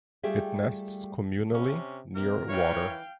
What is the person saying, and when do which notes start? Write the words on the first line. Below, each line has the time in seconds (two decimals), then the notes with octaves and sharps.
It nests communally, near water.
0.23 G3 A3 F4 G4 G#4 E5
1.54 C3 C#4
2.15 C3 A#3 C4 A#4
2.49 E3 C#5 F5 G5